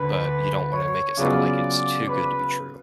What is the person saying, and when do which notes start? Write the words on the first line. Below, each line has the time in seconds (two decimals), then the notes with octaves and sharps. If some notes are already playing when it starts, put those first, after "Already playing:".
But you don't want to make it sound like it's too good to be true.
Already playing: D2 D3 B4
0.72 C#5
1.17 C#3 F#3 B3 F4 D5
2.08 B4